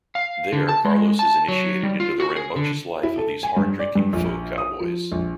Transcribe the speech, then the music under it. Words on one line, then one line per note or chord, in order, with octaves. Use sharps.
There Carlos is initiated into the rambunctious life of these hard-drinking faux cowboys.
F5
D3
A5
G#3
A5
F#3
G3
F4
F#4
G#4
D3
E4
A4
G#5
G2
D5
G2
A#1
D#6
F3
A#1